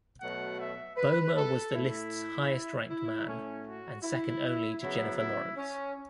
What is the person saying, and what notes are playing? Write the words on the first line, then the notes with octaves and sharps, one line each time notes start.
Bomer was the list's highest ranked man and second only to Jennifer Lawrence.
B2 F#3 A3 F#5
E5
B4
A4
A2 A3 E4
E4
A2 A3 C#4
F#4
E4
C#3 F#3 B3 E4
E4
C#4